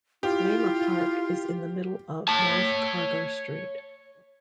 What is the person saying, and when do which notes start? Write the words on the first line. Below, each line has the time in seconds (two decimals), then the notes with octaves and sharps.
Laleh Park is in the middle of North Kargar street.
0.23 E4 F4 G4
2.28 C#5 A5